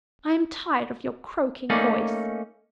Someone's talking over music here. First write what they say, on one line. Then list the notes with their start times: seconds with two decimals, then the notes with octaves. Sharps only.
I am tired of your croaking voice.
1.70 A3 A#3 C#4 D#4 D5